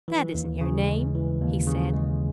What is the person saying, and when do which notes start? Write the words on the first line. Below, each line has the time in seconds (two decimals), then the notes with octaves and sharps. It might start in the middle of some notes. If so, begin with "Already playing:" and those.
"That isn't your name," he said.
0.08 E3
0.34 D#2
0.61 C#3
0.88 G#3
1.15 E3
1.41 D#2
1.67 C#3
1.94 G#3